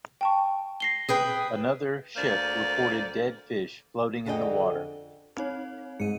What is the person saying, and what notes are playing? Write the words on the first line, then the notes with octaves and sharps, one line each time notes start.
Another ship reported dead fish floating in the water.
G5 A5 C#6
A#6 C7 G7
G#4 B4 G5
D2 A#3 C5 D5
F2 D3 G#4 A4 D#5 G5
C4 D#4 C#5
G#2 C#7 D#7